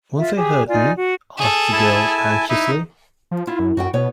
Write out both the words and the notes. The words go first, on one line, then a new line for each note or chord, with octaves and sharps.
Won't they hurt me? asked the girl, anxiously.
F4 E5
G4 G#4
D#4 F4 D5 G#5
F#4
G#4 A4
E4 G#5 A5
D#4 E4 E5
F3
E4 F4
F#2
F#2 F#4 F#5 G5
B2 B3 C#5